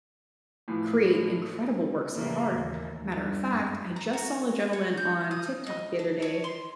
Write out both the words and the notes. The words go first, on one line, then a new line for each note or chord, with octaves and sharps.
create incredible works of art. Matter of fact, I just saw a gentleman on TikTok the other day
A2 E3 F3
A2 C#3 E3 G3 A3 A#3
D#2
G2
A#5
F#4
C#5
G6
D#6
D#5
D4
C#5
C6